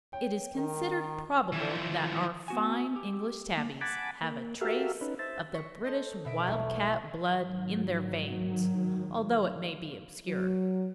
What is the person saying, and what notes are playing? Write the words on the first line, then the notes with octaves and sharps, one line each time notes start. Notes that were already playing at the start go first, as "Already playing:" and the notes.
It is considered probable that our fine English tabbies have a trace of the British wild-cat blood in their veins, although it may be obscure.
C#5 G5
D#3 A#4
E3 F3
B3 F#4 G#5
G4
A#3
F#5 G#5 A5 B5 D6
A#3
F#4 G4 A4 A#4 E5 F5
C#4 D#4 B4
C5 E5 A5
C#6 A#6 B6
A4 C5 D#5
B2 E5 D7
E1 B1 E3 G3 A3
G#2 D#3 F#3
F#3